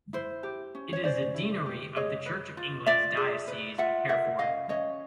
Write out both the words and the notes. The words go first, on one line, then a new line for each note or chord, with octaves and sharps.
It is a deanery of the Church of England's Diocese of Hereford.
E4 C5
G4
C#4
C#5
C#4 C5 D5
E4
G4
G#4 C#5 D#5
B4
F4
F4 D5 E5
G#4
B4
F4 E5 F#5
A#4 E5 F#5
C#4 D#5 F5
C#4 C#5 D#5